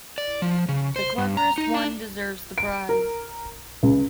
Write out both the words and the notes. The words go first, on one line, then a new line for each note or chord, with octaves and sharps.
The cleverest one deserves the prize.
D5
F3
C#3
C5
G2
A#5
D#4
D4
D7
A#4
C#2